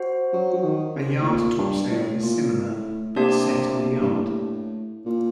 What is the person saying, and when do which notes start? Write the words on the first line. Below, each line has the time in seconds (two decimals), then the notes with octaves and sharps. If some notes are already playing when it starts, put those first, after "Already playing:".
A yard topsail is similar, but set on a yard.
Already playing: F#4 C5 F#5
0.33 F#3
0.53 F#3
0.64 D#3
0.96 C3
1.22 A2
1.28 A#2
1.58 G2
1.90 A2
2.22 A#2
2.69 A2
3.16 C3 A#3 D4 G4 D5 A5
4.01 G2
4.11 A2
5.06 A#2